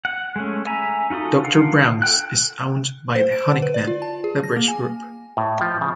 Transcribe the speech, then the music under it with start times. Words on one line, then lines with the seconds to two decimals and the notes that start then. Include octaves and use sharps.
Doctor Brown's is owned by the Honickman Beverage Group.
0.05 F#5
0.36 G#3 A3 C#4
0.66 E5 G#5 A#5 B5
1.10 D#4 F4 F#4 A4 D#6
1.44 D4 F4 A#4 F5 F#5
2.02 A4 F#5 G5 F#6
3.16 C5
3.32 D7
3.48 D3
3.62 B4
3.74 D5
3.87 F4
4.02 A5
4.24 G#4
4.44 A#6
4.56 A#3
4.68 G#5
5.37 A2
5.61 F3
5.81 C#3